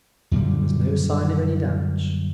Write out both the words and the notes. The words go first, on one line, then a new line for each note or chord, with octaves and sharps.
There was no sign of any damage....
F#2 A#2 D3 G3